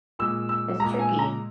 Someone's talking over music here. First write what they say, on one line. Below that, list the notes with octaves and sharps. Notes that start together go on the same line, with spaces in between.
It's tricky.
A#2 G#3 E6
E6
A#2 G#3 A#5
G#5
A#5